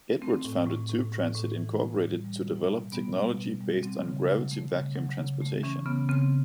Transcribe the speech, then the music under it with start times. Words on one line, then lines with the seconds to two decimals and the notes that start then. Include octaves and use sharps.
Edwards founded Tube Transit, Incorporated to develop technology based on "gravity-vacuum transportation".
0.22 A3 C4
0.45 A2
0.67 A2
0.90 A2
1.12 A2
1.35 A2
1.57 E3
1.80 A2
2.03 G3
2.25 G3
2.48 B2
2.71 B2
2.92 G3 B3
3.15 B2
3.38 B2
3.60 G3
3.83 F#3 C4
4.05 C#3
4.28 F#3
4.51 A3
4.73 C#3
4.96 F#3
5.18 C#3
5.41 A3
5.63 E3 C#4
5.86 C#3 B3
6.09 C#3 C4